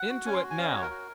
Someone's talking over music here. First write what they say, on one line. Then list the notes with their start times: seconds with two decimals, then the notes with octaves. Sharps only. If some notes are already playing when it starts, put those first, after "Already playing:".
Into it, now!
Already playing: F#5
0.10 F#4
0.26 C#4 G#5
0.34 C6
0.43 F#4
0.50 G#5
0.58 C#4 F5
0.67 D#5
0.74 F#4 C#5
0.82 A#4
0.91 F#4